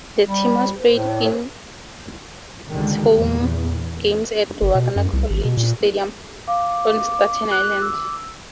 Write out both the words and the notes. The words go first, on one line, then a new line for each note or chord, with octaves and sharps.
The team played its home games at Wagner College Stadium on Staten Island.
G3
A2
C#2 A#2 D3 D#3 G3 G#3
E2 A#2
G1
B2
F#2
C2
G#1
B2
A#2
F5 D6
F#6
E6